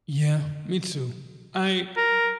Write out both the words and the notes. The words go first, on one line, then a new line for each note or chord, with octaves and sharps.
Yeah, me too. I
A#4